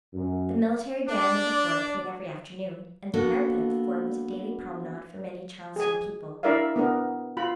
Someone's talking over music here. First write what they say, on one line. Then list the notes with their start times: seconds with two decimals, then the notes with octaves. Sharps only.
The military band of the fort played every afternoon, and the parapet of the fort was a daily promenade for many Charleston people.
0.14 F#2
1.08 D4 D5
3.14 A#3 B3 D4 F#4 A4
5.76 G#4 G#5
6.43 D4 E4 A#4 D5 E5 F5
6.76 B3 D4 A#4
7.37 F4 B5